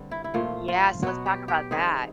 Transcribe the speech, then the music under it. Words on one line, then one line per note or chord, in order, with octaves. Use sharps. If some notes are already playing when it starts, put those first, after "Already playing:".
Yes. Let's talk about that.
Already playing: G2 D3 G3 C4
E4
E4
A#2 F3 A3 F4
F4
B2 F#3 B3 F#4
G4
G4
D#3 G3 C4 D#4 G#4